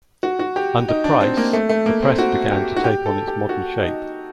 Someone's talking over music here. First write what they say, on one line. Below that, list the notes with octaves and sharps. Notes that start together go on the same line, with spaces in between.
Under Price, the Press began to take on its modern shape.
F#4
F#4
G4
D#4
D4
C4
A#3
A3
A3
A#3
C4
F#4
G4
F#4
G4
A4
G4
F#4
D#4